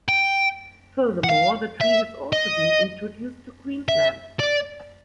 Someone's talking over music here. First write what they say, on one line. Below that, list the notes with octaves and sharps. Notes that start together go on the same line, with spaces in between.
Furthermore, the tree has also been introduced to Queensland.
G5
F#5
F5
E5
D#5
E5
D5